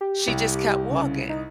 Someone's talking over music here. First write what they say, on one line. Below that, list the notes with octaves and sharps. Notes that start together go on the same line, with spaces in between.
she just kept walking,
G4
C2
C#3
D#4